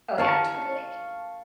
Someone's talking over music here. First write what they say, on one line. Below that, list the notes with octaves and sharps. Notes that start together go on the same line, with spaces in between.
Oh, yeah, totally.
F5 A5 C#6